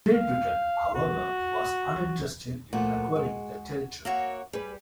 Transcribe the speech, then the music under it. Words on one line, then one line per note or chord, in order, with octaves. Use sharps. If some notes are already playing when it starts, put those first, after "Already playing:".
Great Britain, however, was uninterested in acquiring the territory.
F5
F#4
A#2 F3 A3 F#4
G#3
A#3 F#4 C#5 E5
G3 G#4 B4